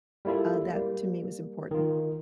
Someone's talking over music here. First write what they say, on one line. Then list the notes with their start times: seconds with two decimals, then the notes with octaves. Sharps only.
uh, that to me was important.
0.25 G3 A#3 E4 F4 A4
0.74 G3 A#3
1.71 D#3 F4